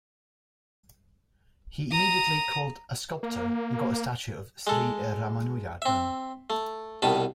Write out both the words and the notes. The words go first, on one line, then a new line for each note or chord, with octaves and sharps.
He immediately called a sculptor and got a statue of Sri Ramanuja done.
A#5 D#6
A#3
G#3 A4
C4 E5
A3
C2 B2 D#3 A5 B5